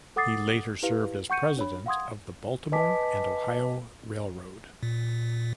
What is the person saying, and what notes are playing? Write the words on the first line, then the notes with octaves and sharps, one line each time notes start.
He later served as president of the Baltimore and Ohio Railroad.
A4 F#5 D6 D#6 A6 C7
E4 G4 B4 F5
F#5 C#6 G6 C#7 D#7
D4 C#5 B5
F5 F#5 C6 D#6 G#6
B4 D#5 G#5 A5 D6 B6
A#2